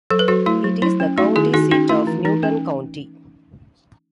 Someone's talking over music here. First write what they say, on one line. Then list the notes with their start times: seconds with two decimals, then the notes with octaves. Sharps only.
It is the county seat of Newton County.
0.10 F#3 A4
0.19 B4
0.28 F#3 F#4 A4
0.46 A3 E4
0.64 F#3
0.82 F#3 E4
1.00 C#4
1.18 A3 D#4 F#4
1.36 D#3 E4 G#4
1.53 D#3 D#4 F#4
1.71 C#4 D#4 F#4
1.89 A3 E4
2.07 E3
2.25 E3 D#4
2.43 C#4